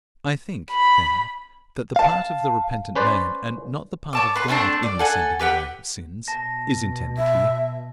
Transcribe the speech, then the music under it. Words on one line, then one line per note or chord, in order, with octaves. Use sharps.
I think, then, that the part of the repentant man, and not the part of God, in the sending away of sins, is intended here.
B5
F5 A5
C#4 B4 C5 D5
C#5 A5 D6
B4 C6
A3 C4 D4 A5
D5
A4 F#5 G#5
G4 B4 F#5 B5
B2 A5 A#6
E5